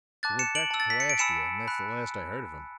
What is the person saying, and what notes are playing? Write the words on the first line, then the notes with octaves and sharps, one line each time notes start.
"He went back to Calastia, and that's the last I heard of him."
A5 D6 F#6 A6
C#7 E7
D7 F#7
A5 E6
A6
B6
C#7
D7
G#5 B5 E6 C#7 E7
B5 F#6